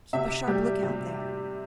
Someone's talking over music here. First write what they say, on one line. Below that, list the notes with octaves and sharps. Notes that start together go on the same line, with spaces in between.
Keep a sharp lookout there.
C3 E5
G3 G4
C3 G4